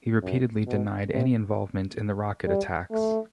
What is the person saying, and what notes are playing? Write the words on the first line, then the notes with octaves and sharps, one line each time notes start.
He repeatedly denied any involvement in the rocket attacks.
F#2
B2
C3
G3
A3